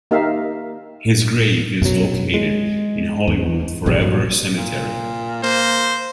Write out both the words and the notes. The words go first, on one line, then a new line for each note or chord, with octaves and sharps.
His grave is located in Hollywood Forever Cemetery.
A#3 D#4 G4 A#4 E5 F5
F#2 B2 F#3
G#3
E2
A#1 G2 B2 G3
G2 A#2 F3 F#3
A#2
A#3 C5